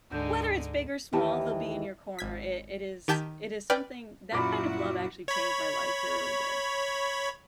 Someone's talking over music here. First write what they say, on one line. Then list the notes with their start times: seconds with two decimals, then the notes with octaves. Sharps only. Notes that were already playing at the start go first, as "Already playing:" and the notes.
whether it's big or small, they'll be in your corner. It it is it is something that kind of love actually changed my life. It really did,
0.11 D2 G#2 D3 G#3 D#4 G6
1.12 D#2 D#3 E3 E4 G4 A5
2.19 G#1 G#6 B6
3.08 D#3 G4 G5 A5 G#6 B6
3.70 B4 D5 G5 F6
4.32 F#2 A#2 E4 F#4 B5 D6
5.28 C#5 B5